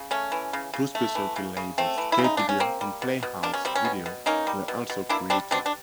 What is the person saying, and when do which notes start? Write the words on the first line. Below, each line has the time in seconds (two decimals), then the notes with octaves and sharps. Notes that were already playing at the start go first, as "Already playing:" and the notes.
Two specialty labels, Key Video, and Playhouse Video, were also created.
Already playing: C#3
0.11 A3 C#4
0.32 E3
0.53 C#3
0.74 C#3
0.95 A3
1.15 E3
1.36 C#3
1.57 C#3
1.78 A3 C4
1.98 E3
2.12 E4
2.19 C#3
2.24 D#4
2.37 C#3 D4
2.49 C#4
2.60 A#3 C4
2.81 G3
3.02 B2
3.23 B2
3.43 A#3 D4
3.54 C#4
3.65 G3 C4
3.75 C#4
3.85 B2
4.06 B2
4.26 A#3 C#4 D#4
4.47 G3
4.68 B2
4.90 B2
5.09 A#3 D4 E4
5.30 G3 C4 D4
5.51 B2 C4 D4
5.66 D4